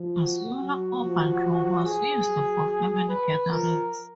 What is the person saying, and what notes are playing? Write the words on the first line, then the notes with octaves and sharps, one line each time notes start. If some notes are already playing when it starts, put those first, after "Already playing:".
A smaller oval room was used for family gatherings.
Already playing: F3
F#4
F#3
F3
G#4
F#3
B4
F3 A#4